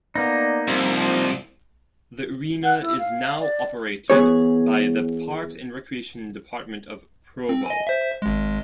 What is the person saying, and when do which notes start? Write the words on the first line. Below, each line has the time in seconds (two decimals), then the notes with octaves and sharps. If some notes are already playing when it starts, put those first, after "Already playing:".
The arena is now operated by the Parks and Recreation Department of Provo.
0.15 A#3 B3 D#4 D5
0.68 C2 F3
2.64 F#5
2.81 E4
2.98 F5
3.40 D5
4.10 E3 B3 G#4 C#5
7.49 C4
7.66 D#5 G#5
7.87 C5 E5
8.22 G#1 G#3